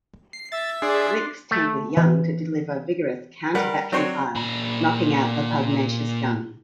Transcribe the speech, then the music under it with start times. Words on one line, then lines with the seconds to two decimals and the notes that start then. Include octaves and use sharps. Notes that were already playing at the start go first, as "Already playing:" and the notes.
"Wickes" teamed with "Young" to deliver vigorous counter-battery fire, knocking out the pugnacious guns.
0.33 C7
0.52 E5 A6
0.82 D4 G#4 D5 C6
1.51 A3
1.97 E3
3.55 G3 A#4 B4 F#5
3.92 F#3 C4 D4 C5 C#5
4.36 A#2 B5